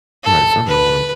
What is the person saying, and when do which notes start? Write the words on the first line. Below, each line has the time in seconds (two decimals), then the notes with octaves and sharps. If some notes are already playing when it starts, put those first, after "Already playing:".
Right, something going on.
0.24 A4
0.67 B4